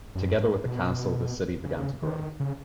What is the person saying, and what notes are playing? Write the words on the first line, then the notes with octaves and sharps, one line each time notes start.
Together with the castle the city began to grow.
F#2
G#2
B2
C#3
D#3
C#3